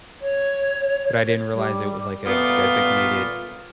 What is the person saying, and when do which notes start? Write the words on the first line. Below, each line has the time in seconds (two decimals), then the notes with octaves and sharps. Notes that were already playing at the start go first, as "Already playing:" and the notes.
but I didn't realize it was, like, a designated
0.22 C#5
1.54 G3
2.25 A#2 G3 A3 B3 F4